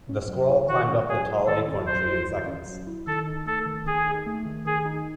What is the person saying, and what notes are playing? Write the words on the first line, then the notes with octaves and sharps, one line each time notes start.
The squirrel climbed up the tall acorn tree in seconds.
C#4
F#3
E4
D#3 F#4
C#4
F#3 G#4
E4
D#3 A4
C#4
F#3 C5
E4
D#3
C#4
F#3
E4
D#3 A4
D#4
A3 A4
D#3
D#3 G#4
D#4
A3
D#3
D#3 G#4
D#4